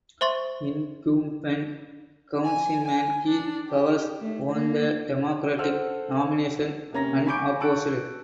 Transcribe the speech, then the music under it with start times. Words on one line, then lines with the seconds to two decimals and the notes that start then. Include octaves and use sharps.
Incumbent Councilman Keith Powers won the Democratic nomination unopposed.
0.21 C5 E5 C6 C#6 A6
2.44 G#5
2.85 G#5
3.28 D4
3.67 G4
4.21 A3
4.52 A#3
5.58 A4 C5 F#5 E6 F6
6.93 C3 A#3 C#4 A#5 A#6
7.26 G#5 B5 C#6 D6 G6 D7
7.60 A5 C#6 E6 F#6 D7